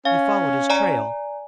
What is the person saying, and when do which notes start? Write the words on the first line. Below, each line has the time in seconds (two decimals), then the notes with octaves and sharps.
"You followed his trail?"
0.05 C#4 F5
0.70 D5 G#5 A#5